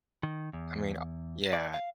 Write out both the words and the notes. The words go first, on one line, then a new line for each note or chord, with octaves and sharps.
I mean o yeah.
D#3
E2
D5
F5